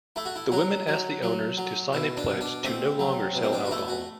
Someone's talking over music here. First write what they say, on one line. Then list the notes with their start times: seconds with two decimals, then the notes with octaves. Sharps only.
The women asked the owners to sign a pledge to no longer sell alcohol.
0.16 A3 E4
0.25 F#4
0.36 E4
0.52 F#3 F#4
0.87 F#3
1.22 F#3
1.58 F#3
1.93 B2 E4
2.17 D4
2.29 B2
2.41 D4
2.64 A3 C4
2.99 F#3
3.35 B2
3.43 C4
3.53 D4
3.65 F#4
3.71 A3 E4
3.88 F#4